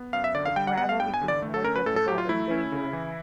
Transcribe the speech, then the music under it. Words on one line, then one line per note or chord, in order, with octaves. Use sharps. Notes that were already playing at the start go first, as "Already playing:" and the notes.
The travel became more difficult and dangerous.
Already playing: B3
F#2 F5
E5
D3 D5
F5
G3 G5
F#5
B3 F#5
F5
G2 G5
G#5
D3
D5
A3
A4
C#4 A#4
B4
A2 A4
A4
F#3 G4
F4
A3 E4
C#4
C#3
E3